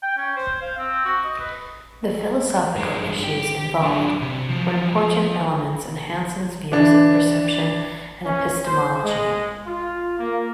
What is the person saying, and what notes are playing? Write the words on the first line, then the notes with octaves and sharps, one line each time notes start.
The philosophical issues involved were important elements in Hanson's views of perception and epistemology.
G5
C#4
C5
F5
C4
F#4
D#5
B4
G2 G#3
G4
F#3 D4
C3
F3 F#3
F3
E3 D4
C#4
C5
G#3
F4
A#3